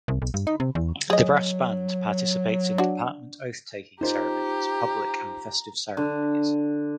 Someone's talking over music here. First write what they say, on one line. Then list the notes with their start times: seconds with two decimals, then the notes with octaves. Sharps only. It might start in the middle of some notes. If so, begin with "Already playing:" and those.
The brass band participates in department oath taking ceremonies public and festive ceremonies.
0.08 C2
0.22 B1
0.34 G2
0.47 D#4
0.60 C3
0.75 E2
1.10 F#3 G#4 D#5
2.78 D4 F#4
4.01 D#4 F4 G4 C5 A#5
5.97 D3